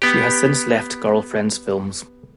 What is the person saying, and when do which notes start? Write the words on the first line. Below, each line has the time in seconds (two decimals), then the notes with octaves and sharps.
She has since left Girlfriends Films.
0.02 B3 G4